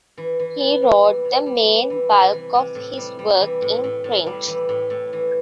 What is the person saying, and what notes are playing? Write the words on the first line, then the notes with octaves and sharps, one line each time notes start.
He wrote the main bulk of his work in French.
E3
E3
B3
G3
E3
C3
G3
B3
E3
C3
E3
C3
A2
G3
G3
E3
A2
A2
A2
G3
E3
A2
A2
E3